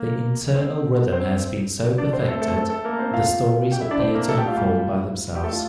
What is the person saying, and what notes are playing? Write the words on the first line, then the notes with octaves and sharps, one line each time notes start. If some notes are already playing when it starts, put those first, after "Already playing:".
The internal rhythm has been so perfected, the stories appear to unfold by themselves.
Already playing: A#3 A#4
C4 C5
C4 C5
D4 D5
C4 C5
A3 A4
A3 A4
A3 A4
A3 A4
A#3 A#4
C4 C5
F4 F5
G4 G5
E4 E5
D4 D5
C4 C5
A#3 A#4
A3 A4
G4 G5
F4 F5
G3 G4
G4
A3 A4
F4